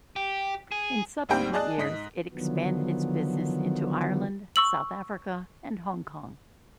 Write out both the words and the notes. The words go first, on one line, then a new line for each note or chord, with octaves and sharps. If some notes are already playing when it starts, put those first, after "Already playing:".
In subsequent years, it expanded its business into Ireland, South Africa, and Hong Kong.
G4
G#4
D2 G#2 G3 A#3 C4 G5
G#4 D5 D#5 A5 F#6
G#2 D#5 B6
D3 D#3 F3 F#3 B3
C#6 E6 F#7